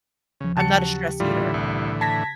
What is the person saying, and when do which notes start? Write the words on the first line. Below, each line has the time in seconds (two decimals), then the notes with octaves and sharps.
I'm not a stress eater.
0.40 D#2 C#3 F3
0.57 C#3 F#3 G4 A5 C#7
1.20 A2 D3 E3 G3 F4
1.54 C2
2.01 A5 G#6 A#6 B6